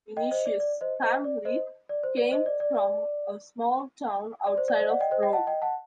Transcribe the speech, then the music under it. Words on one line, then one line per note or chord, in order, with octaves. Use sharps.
Vinicius' family came from a small town outside of Rome.
D#5 G5
C5 D#5
D5
D5
C5 D#5
C5 D#5
D5
C5 D#5
D5
C5
D5
C5 D#5
D5
D5
D5
D5
C5
D5
C5 D#5
D5 F#5
D#5 G5
C5 D#5
D#5 G5
F#5 A5
D#5 G5
F#5 A5